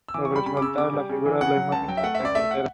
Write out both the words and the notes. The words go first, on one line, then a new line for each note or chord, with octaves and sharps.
The competition was ignored by many leading Russian athletes.
E6
E3 D6
C#6
G3 B5
C#3 B5
D6
C#3 E6
C#3 D6
G3
C#3
E3
C#3 F#5
F#3
C#2 A5
F#3 G5
E5
A3 F#5
E5
C#2
D5
A3 E5
F#5